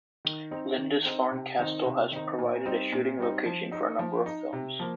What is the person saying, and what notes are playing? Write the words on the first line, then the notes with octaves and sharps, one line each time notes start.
Lindisfarne Castle has provided a shooting location for a number of films.
D#3
C4 D#4
D#3
C4 D#4
C3
D#3 C4 D#4
C3
D#3 C4 D#4
A#2
G3 C4 D#4
A#2
G3 C4 D#4
F3
D#4
F3
D#4
C3
F3 A#3